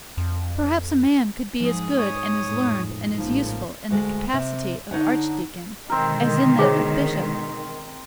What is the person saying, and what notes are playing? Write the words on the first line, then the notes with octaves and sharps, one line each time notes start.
Perhaps a man could be as good and as learned and as useful in the capacity of archdeacon as in that of bishop.
F2
G#2 F3 G#4
G#3 C#5 D#6
F2 A2
A1 C#3 F3 A#3 D#4
D2 G#3
C3
D3 D#4 C#5 F#5
B2 D3 D#3 G#3 C4 A#4
G#4 C5 C#5